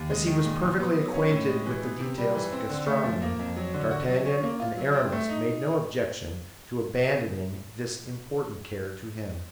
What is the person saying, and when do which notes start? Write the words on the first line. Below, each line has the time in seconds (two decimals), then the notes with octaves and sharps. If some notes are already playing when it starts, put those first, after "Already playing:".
As he was perfectly acquainted with the details of gastronomy, d'Artagnan and Aramis made no objection to abandoning this important care to him.
Already playing: D#2
0.10 G#3
0.27 D#3
0.45 A#2
0.62 A#2
0.80 B3
0.96 F#3
1.14 C#4
1.31 A2
1.48 G#3
1.66 E3
1.83 B3
2.00 C3
2.18 G3
2.35 E3
2.52 C4
2.70 D3
2.86 A3
3.04 F3
3.22 A#3
3.39 F2
3.57 F#3
3.74 D3
3.91 F#4
4.08 F#3
4.25 C#4
4.43 A#3
4.60 F4
4.77 F#3
4.94 C4
5.12 A3
5.29 D#4